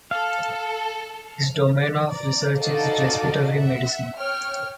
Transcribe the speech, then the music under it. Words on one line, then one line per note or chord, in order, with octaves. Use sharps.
His domain of research is respiratory medicine.
A4 F5
D5 A#5
D#4 F#4 A4 D5 D#5 F5
E5 F#5
C#5 G5 F6